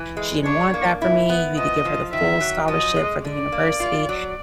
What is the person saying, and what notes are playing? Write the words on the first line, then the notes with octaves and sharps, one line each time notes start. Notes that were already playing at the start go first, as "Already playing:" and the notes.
She didn't want that for me, "You either give her the full scholarship for the university"
Already playing: E3
G#3
D4 C#5
A#3
E4
B3
F3 D#5
F3
D#3 E5
F#3
F3 D#5
G#3
D3 D5
A#3
F4
F#3